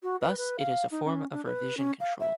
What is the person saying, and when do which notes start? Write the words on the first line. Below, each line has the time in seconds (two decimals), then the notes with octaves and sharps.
Thus it is a form of revision control.
0.03 F#4
0.21 B4
0.37 B4
0.58 F5
0.91 D#4
1.04 C#4
1.32 D4
1.45 B4
1.77 C#4
2.00 F5
2.20 E5